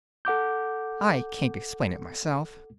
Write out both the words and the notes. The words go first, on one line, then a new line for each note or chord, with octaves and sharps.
"I can't explain it, myself."
A4 F#5 D6 G6